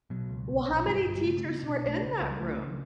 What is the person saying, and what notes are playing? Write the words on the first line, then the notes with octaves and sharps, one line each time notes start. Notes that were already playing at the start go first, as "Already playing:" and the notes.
Well, how many teachers were in that room?
B2 F#3
C#2
B1
B1
G1 G3
G2
G3
C#3 A3
A3
C#3
B3
D4
B2 C#4
B3
B1
A3
C#3
C#2
G3
C#2 A3
C#3